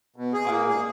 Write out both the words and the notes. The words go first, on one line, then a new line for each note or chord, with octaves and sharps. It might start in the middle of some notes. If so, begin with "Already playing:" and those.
I know.
B2
G#4
A#3
G#4